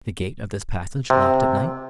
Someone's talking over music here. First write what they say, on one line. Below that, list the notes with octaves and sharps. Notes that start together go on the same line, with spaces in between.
"Is the gate of this passage locked at night?"
C3